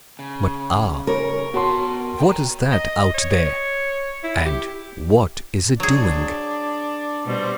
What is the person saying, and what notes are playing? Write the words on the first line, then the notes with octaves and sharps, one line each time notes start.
But ah! what is that out there, and what is it doing?
C#3
A#4 C#5
B3 F#4 A5 C6
G5 A#5
D#5
C#5
E4
G4
F#3 D4 G#4
B2 G3 C4